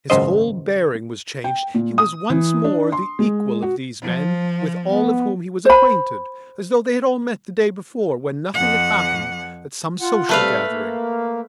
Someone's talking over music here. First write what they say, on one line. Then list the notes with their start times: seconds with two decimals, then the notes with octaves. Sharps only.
His whole bearing was changed; he was once more the equal of these men, with all of whom he was acquainted, as though they had all met the day before, when nothing had happened, at some social gathering.
0.10 G#1 C#2 F#2 C5 D#5
1.44 G5
1.74 A#2
1.98 D#6
2.30 E3
2.64 D4
2.92 C6
3.19 G#3
3.62 F#4
4.01 F3
4.84 B3
5.65 C5 B5
8.54 F2 F#5
10.01 F4 F#5
10.29 C3 G3 A3 B4 F5
10.68 A#3